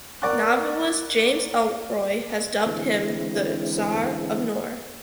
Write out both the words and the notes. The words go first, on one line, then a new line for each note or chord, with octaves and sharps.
Novelist James Ellroy has dubbed him "The Czar of Noir".
A#4 D5 F#5 C#6 D6 F#6
D3 E3 G#3 C4 E4